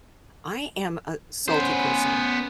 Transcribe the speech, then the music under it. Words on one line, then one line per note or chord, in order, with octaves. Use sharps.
I am a salty person,
B3 C#4 C5